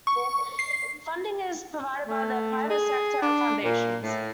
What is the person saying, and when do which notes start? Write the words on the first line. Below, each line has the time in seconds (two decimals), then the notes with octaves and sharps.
Funding is provided by the private sector and foundations.
0.07 C#6
0.59 C7
2.05 A3
2.68 G#4
3.21 D4
3.62 A#2
4.01 A2